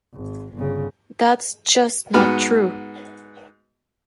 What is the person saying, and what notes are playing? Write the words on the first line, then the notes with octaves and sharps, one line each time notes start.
That's just not true.
G#1
G1 C#3
G#2 B3 F#4 B4 F6